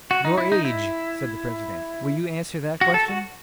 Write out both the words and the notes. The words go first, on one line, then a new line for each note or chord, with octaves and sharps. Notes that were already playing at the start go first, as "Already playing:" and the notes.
"Your age?" said the president; "will you answer that question?"
F#4
D#4
E4
D#4
E4
F#4
A4
F#4